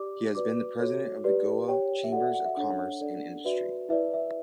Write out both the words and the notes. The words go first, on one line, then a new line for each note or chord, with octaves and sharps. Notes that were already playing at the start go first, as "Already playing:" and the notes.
He has been the president of the Goa Chambers of Commerce and Industry.
Already playing: G4 D5 D6
F#4 B4 D5 D6
F#4 A4 C#5
G4 B4 D5
G4 C#5 G5
E5
F#4 A4 D5 F#5
E5
F#5
E5
D4 A4 C#5 F#5
D4 A4 D5
F#4 B4 D5 E5
E4 B4 D5 E5
E5